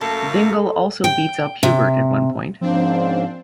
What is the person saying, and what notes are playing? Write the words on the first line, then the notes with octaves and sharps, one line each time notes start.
Dingle also beats up Hubert at one point.
F#2 A3 A#3 A4
G5
C3
G#2 C#3 F3 A#3 C4 D4 C5